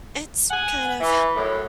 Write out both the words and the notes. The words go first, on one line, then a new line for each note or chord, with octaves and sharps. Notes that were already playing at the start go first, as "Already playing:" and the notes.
It's kind of
F#5 G#5
E3
F#2 A2